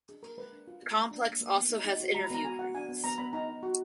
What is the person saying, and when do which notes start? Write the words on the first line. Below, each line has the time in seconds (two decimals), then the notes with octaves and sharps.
The complex also has interview rooms.
0.09 D4 G#4
0.23 A#3 A#4
0.37 G#3 B4
0.53 D4
0.68 F4
0.83 B3
0.91 A#5
0.97 G#3 G#5
1.11 D4
1.26 A#3
1.41 A#3
1.56 B3
1.70 D#4
1.85 D#4
2.00 F#4
2.15 G#3 A#5
2.24 B5
2.30 B3 A#5
2.45 F#4 G#5
2.59 F#4 F#5
2.75 D4 G#5
2.89 B3
3.04 B3 A#5
3.18 B3 B5
3.33 D#4 A#5
3.48 D#4
3.63 F#4